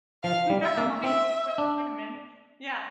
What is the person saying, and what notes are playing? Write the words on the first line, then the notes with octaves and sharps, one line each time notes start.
Never mind what to put them in. Yeah.
F3 F5
G3
E5
A#3
C4 E5
D4